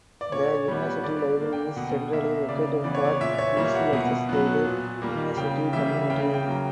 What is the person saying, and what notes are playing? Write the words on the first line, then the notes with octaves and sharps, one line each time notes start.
The university library is centrally located for easy access by the university community.
D5
A#2 C#5
G3 B3
D3 D5
A#3
G5
B2 F#5
A#3 E5
C#3 D5
E3 B3 D5
C#5
D5
A#2 E5
C#5
G3 A#3 E5
F#5
B2 F#5
F#3 B3
A#2
G3 A#3
C#3 G5
E3 G3 A#3 E5
C#3 G5
G5
F#3 A#3 A#5